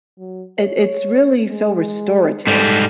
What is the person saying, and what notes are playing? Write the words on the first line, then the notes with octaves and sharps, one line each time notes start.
it it's really so restorative,
F#3
C#5
G#3
G#2 G3 A4